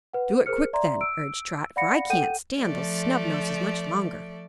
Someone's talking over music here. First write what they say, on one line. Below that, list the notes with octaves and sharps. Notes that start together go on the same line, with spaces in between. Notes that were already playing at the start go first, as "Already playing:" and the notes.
"Do it quick, then," urged Trot, "for I can't stand those snubnoses much longer."
B4 F#5
G#4 A#4 C5 F6 C#7
D5 E5 A#5 C6
E6 D7
D5 F5 F#5 B5 A#6 C#7
A4 F#5 G5 G6 D#7
F3 A3 D5